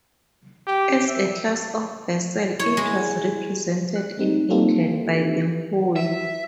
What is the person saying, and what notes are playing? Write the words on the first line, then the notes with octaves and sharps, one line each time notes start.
As a class of vessel, it was represented in England by the hoy.
G4
E5
E4 C#5
G#3
F#6
A3 C4 D#4
A#3 C4 D#4 F4 G4 A4
E5